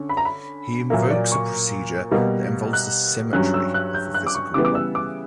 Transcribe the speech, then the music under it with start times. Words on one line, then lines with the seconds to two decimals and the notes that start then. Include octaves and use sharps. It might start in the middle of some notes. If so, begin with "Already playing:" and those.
He invokes a procedure that involves the "symmetry" of the physical problem.
Already playing: D3 C#4
0.09 B5
0.17 A#5
0.25 B5
0.90 A#2 F#3 A#3 E5
1.11 D5
1.32 C#6
2.11 B2 G3 A#3
2.73 F#6
3.33 G2 F#3 C#4 F#6
3.54 E6
3.74 F#6
3.94 G6
4.14 F#6
4.27 D6
4.35 C#6
4.54 C#3 E3 G3 B3 D6
4.65 D6
4.75 E6
4.95 D6